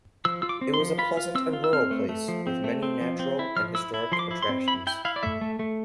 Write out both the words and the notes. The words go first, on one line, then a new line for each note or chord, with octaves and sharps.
It is a pleasant and rural place with many natural and historic attractions.
F3 E6
F4 E6
D6
C4
C6
F3
F4 B5
F4
C4 E6
F4
E6
C4 F6
A3
A3
F3
C4
A3
C4
F3
C4
E4
F3 F6
E4 E6
E4
F3 C6
D6
E4
C6
C4
E4 B5
E4 G5
E4 F5
D5
A3 E5
A3
A3